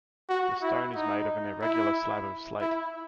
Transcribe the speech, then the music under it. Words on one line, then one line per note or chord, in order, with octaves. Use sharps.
The stone is made of an irregular slab of slate.
F#4
E4
D#4
E4
E4